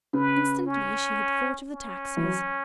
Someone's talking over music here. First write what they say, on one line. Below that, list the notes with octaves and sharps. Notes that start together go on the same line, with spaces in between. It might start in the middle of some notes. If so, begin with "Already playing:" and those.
Instantly she had thought of the taxes.
C#3 B4
C#4
C#4
E3
F#3